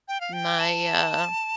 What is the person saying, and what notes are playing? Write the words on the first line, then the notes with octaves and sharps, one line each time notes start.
my, uh
G5
F5
G5
A5